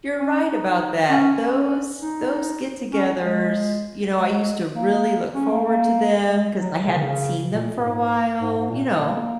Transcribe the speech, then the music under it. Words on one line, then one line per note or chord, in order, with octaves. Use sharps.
You're right about that. Those those get-togethers, you know, I used to really look forward to them, 'cause I hadn't seen them for a while, you know?
C#4
D#4
C#4
C#4
D#4
C#4
G#3
G#3
A#3
C#4
A#3
A#3
G#3
F#3
C#3
D#3
C#3
A#2
G#2
G#2
G#2
A#2
A#3